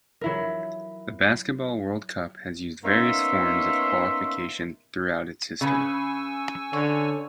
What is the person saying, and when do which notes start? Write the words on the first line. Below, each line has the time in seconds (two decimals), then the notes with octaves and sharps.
The Basketball World Cup has used various forms of qualification throughout its history.
0.21 F#3 E4 A#4
2.84 A#3 B3 C#4 D#4 E5 C6
5.61 C#3 G#4 B4 G#5 C#6 E6
6.73 D3 C#5